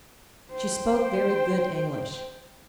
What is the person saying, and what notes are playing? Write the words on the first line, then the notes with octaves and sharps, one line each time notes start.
She spoke very good English.
C5 G5